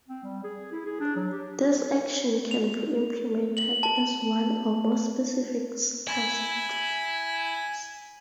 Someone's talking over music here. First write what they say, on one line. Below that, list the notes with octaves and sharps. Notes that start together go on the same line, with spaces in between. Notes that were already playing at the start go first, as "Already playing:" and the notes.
This action can be implemented as one or more specific tasks.
C4
G3
G#4
E4
G#4
D4
F#3
G4
F7
F#7
A5
E4 G#5